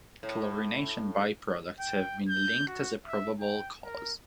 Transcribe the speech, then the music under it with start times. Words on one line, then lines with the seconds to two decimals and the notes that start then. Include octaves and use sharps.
Chlorination by-products have been linked as a probable cause.
0.23 A2
1.79 G5
2.28 G6
2.68 F#4
3.06 E5
3.40 G5
3.84 A#4